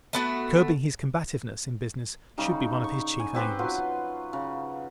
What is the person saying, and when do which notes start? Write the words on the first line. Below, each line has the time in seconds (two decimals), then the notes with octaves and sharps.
Curbing his combativeness in business should be one of his chief aims.
0.13 A3 B3 F#4
2.38 C#3 G3 D#4
2.84 C#6
3.20 G#5
3.35 C4 G4 B4 C6
3.59 F#3 F4 B4 C6
4.33 C#3